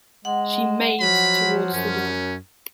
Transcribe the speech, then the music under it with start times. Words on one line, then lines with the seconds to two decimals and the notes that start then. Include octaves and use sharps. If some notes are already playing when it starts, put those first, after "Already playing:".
She made towards the door.
0.25 G#3 F#5
1.00 F3 F#3 B5
1.74 F#2 C#4